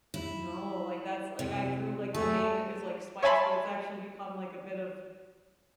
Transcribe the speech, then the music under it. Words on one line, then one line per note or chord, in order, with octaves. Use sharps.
No, like, that's like, I drew, like, the main is like, spikes, but it's actually become like a bit of,
E4
C3
A3 G#4
C#5 E5 G#5 A5 B5 C6